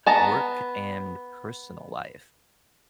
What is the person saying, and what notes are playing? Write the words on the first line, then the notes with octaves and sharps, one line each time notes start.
work and personal life.
B3 A5 A#5